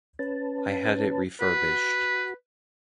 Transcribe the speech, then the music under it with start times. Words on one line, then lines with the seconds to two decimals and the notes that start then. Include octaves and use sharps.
I had it refurbished.
0.19 C#4 B4 A5
1.41 F#4 B4